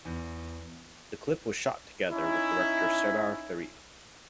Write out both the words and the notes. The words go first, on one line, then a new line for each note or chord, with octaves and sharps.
The clip was shot together with director Serdar Ferit.
E2
C#4 D#4 E4